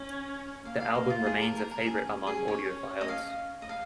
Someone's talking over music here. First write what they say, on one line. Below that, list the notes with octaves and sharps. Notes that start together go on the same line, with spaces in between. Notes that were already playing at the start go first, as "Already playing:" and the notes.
The album remains a favorite among audiophiles.
Already playing: C#4
A#3 F5
F5
D#5
F4
G#4
A#4
A#4
A#4
C#4 G#4
G#4
C#5
D#5
F5
D#5
F5